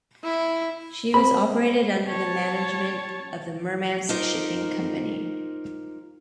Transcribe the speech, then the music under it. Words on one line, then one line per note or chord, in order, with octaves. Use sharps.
She was operated under the management of the Murmansk Shipping Company.
E4
C4 B5
C#5 A5
D#4 F4 G4 A#4 C5